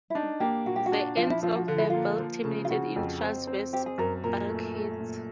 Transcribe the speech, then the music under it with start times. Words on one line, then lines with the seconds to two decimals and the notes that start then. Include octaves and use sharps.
The ends of the belt terminated in transverse bulkheads.
0.10 E4
0.15 D4 D#4
0.40 A#3 G4
0.66 A#2 F#4
0.76 G4
0.86 F#4
0.92 D4
1.17 F3 F4
1.30 E4
1.43 F3 F4
1.56 F#4
1.67 D3 F4
1.78 E4
1.90 A#3 F4
2.19 F3
2.45 C#3
2.65 F4
2.70 C#3 F#4
2.96 F2
3.22 C4
3.47 C4
3.73 C4 G4
3.86 G#4
3.98 F#2 A#4
4.24 A#2 A#4
4.49 A3
4.75 A3
5.00 A#2